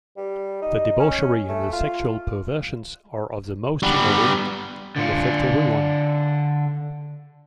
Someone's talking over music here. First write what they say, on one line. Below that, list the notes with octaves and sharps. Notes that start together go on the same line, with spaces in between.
The debauchery and the sexual perversions are of the most immoral, and affect everyone.
G3
D#4
C#4
A3
F4
G3 B3
D3 F4